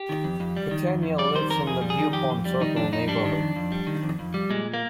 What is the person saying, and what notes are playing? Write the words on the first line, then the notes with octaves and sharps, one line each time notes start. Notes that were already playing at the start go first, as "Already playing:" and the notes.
Catania lives in the Dupont Circle neighborhood.
Already playing: G4
D#3
F2
F2
G3
D#3
F2
F2
G3 D5
D#3 C5
F2 A#4
F2 G#4
G3
G#4
D#3
F2 G4
F2
G3
D#3 D#4
F2 D4
F2 D#4
G3 D4
D#3
F2
F2
G3
D#3
F2
F2
G3
A#2 G#3
A#3